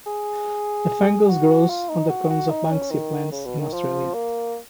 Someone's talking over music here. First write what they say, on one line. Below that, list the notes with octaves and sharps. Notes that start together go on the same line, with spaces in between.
The fungus grows on the cones of "Banksia" plants in Australia.
G#4
F#4
F4
D#4
F#4
F#4
D#4
C#4
D#3
C#3
B2
D#3
F3
A#3